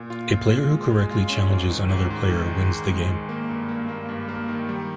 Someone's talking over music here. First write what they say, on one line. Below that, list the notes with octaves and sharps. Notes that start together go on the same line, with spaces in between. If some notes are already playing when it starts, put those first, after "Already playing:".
A player who correctly challenges another player wins the game.
Already playing: A#2
F4
F4
F4
G#3
G#3
F4
C#4
G#2
D#3
G#2
G#2
D#3
G#3
G#2
G#3
D#3
A#3
G2
A#3
A#3
G2
A#3
D#3
G3